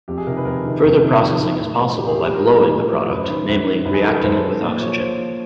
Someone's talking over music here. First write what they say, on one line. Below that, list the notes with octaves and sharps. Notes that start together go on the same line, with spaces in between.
Further processing is possible by "blowing" the product: namely reacting it with oxygen.
F2 G4
G#4
C3 D#3 A#4
B4
F2 A#4
C3 D#3
F2
C3 D#3
F2 G#4
C3 D#3
A2
F3
A2 G4
G#4
F3 G4
B4
A2 A#4
F3
A2
F3
F#2 B4
C5
D#3 B4
F#2
D#3
F#2 B4
G#4
A4
D#3 A#4
B4
F#2 C5
D#3
A#2 D5
F3 C#5
A#2 C5
F3